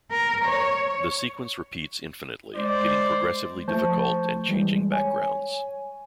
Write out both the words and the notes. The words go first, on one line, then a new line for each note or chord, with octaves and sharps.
The sequence repeats infinitely, getting progressively difficult and changing backgrounds.
A#4
C#5
G#3 C5 D5
F3 A3 C5 A5 C#6 G6
E3 G3 G#3
C#5 G#5